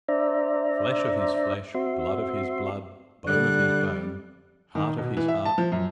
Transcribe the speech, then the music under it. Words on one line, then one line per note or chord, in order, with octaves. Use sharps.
Flesh of his flesh, blood of his blood, bone of his bone, heart of his heart.
D4 C5 D5 E5 A#5
C4 F#4 E5 C6
D3 G3 F#6
D#3
B2
E3
E5
A5
F3
F#2